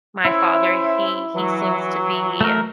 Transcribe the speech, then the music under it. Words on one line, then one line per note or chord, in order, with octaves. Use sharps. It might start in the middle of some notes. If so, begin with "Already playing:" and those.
My father, he he seems to be
C#4 E4 C5 E5
E3 F#3
A3 A#4